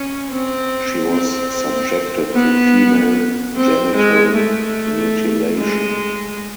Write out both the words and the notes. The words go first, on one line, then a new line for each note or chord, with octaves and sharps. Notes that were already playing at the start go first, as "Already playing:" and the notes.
She was subjected to female genital mutilation.
Already playing: C#4
C4
C4
B3
C4
G#3
A3
G#3